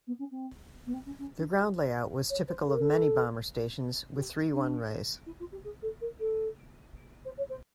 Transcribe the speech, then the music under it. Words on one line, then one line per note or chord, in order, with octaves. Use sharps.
The ground layout was typical of many bomber stations, with three runways.
B3
C#4
C4
B3
C4
C#4
C#4
D4
G4
C#5
C5
A4
A#4
A4
G4
D4
E4
F4
G4
G#4
A4
A#4
A4
C5
C#5
C5